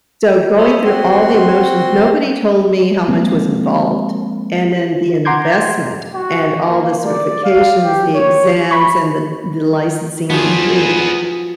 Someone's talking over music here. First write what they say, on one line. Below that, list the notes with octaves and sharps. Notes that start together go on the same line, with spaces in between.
So, going through all the emotions, nobody told me how much was involved, and then the investment, and all the certifications, the exams, and the the licensing you need,
C5 C#5 D#5 E5 B5 C6
C4 F#4 C6
F3 G#3 A#3 C4
F#5 A#5 C6 D6 G6 G#6
F#4
A#3
D5
F5
G4
C#5
B5 C#6
F3 B3 F#4 G#4